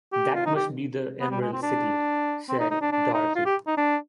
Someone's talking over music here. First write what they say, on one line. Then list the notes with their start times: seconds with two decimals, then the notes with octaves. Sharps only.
"That must be the Emerald City," said Dorothy.
0.12 G4
0.35 F4
0.46 D#4
0.56 G4
1.21 B3
1.30 G3
1.41 G#3
1.52 C4
1.63 D4
2.49 C4
2.60 D#4
2.71 D#4
2.81 D4
2.92 D4
3.14 D#4
3.35 F4
3.46 G4
3.67 D#4
3.77 D4